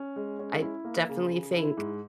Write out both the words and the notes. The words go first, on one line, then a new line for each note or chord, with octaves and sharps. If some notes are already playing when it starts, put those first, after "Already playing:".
I definitely think
Already playing: C#4
G#3
C#4
E4
A#3
C#3
C#3
E4
G#2